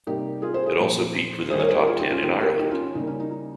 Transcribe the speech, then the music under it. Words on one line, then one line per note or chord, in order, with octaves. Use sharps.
It also peaked within the top ten in Ireland.
C3 G3 A#3 D#4 G4
F4 G#4
G#4 C5
G#4 C5
A#2 F3 A#3
D#3 G3 A#3 G#4 C5
A#4 C#5
G#4 C5
G4 A#4
F4 G#4
D#4 G4
C#4 F4
D#3 A#3 D#4 G4
G4 A#4
D#4 G4
C#4 F4
C#4
C#3 G3 A#3 D#4
C#4
D#4
D#4